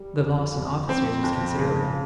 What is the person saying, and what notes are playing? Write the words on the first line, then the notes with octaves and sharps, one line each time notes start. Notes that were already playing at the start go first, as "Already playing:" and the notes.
The loss in officers was considerable.
Already playing: G3
F2
F2
F2 C4
F2
C#3